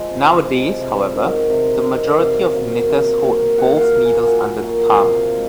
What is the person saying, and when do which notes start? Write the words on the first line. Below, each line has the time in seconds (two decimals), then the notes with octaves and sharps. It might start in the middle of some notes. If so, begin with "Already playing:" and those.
Nowadays, however, the majority of knitters hold both needles under the palm.
Already playing: F3 G#3
0.11 C3
0.45 F3 G#3
0.80 C3
1.15 D#3 F#3
1.50 C3
1.84 D#3 F#3
2.19 C3 F5
2.54 F#3 A#3
2.88 C3
3.24 F#3 A#3
3.58 A#2 F#5
3.76 F5
3.81 F#5
3.93 F#3 A#3
4.04 G#5
4.27 A#2 F#5
4.62 F#3 A#3
4.96 C3 F5
5.32 G#3